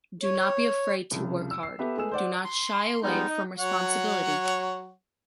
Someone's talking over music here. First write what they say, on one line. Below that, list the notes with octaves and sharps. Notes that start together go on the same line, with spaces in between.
Do not be afraid to work hard, do not shy away from responsibility.
C#5
C2 C#3 F3
E6
C7
B3 G4 A4 B4 E5
G#3 A3 G#4 B4 E6 E7
C5 D5 F#5
C6
G3 G#3 B3 D#4
D#5
F#3 C#5 F#5